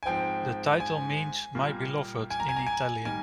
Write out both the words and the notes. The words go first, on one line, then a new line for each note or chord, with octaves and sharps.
The title means "my beloved" in Italian.
G#5
G#2 F3 C4 G5
G#5
A#2 G3 A#3
G#5
A#5
G#5
A#5
G#5
D#3 G3 A#3 G#5